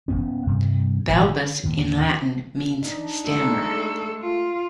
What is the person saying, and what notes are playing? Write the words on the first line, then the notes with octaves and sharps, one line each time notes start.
"Balbus" in Latin means "stammer".
D#1 G2 B3 C#4
G2 C3 G3
G#1 A#2 F3
D3
D#2 A2 D#3
D4 D#4
G#3 A3 A4
F4